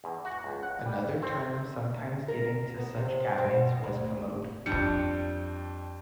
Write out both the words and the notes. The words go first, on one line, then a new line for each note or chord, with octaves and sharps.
Another term sometimes given to such cabinets was commode.
E2
F#4
C#2
F#5
G3
C4
A#4
B3
C3
C4
B2
D2
F2 G3 D4 C#7